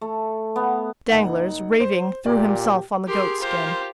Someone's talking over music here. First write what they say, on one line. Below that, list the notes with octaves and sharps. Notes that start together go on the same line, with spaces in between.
Danglars, raving, threw himself on the goat-skin.
A3
B3
F#1 D#4 F#5
C5
A#2 G4 D5
G4 G#4 A#4 C6
F4 G4 A#4 C5